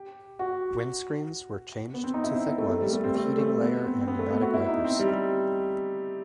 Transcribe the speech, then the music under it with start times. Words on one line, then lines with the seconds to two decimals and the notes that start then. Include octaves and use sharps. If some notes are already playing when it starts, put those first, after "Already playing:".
Windscreens were changed to thick ones with heating layer and pneumatic wipers.
Already playing: G4
0.39 F#4
1.94 B3
2.04 C4
2.14 D#4
2.24 E4
2.35 C4
2.46 B3
2.58 A3
2.70 A3
2.81 G3
2.93 A3
3.04 C4
3.15 A3
3.38 A3
3.61 B3
3.84 C4
4.01 C4
4.08 B3
4.19 A3
4.31 B3
4.42 F#4
4.54 E4
4.69 D#4
4.84 C4
4.99 G3